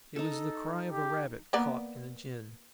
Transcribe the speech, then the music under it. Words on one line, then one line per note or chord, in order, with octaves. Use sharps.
It was the cry of a rabbit caught in a gin.
D#4 A4
G4
A#3 B3 D5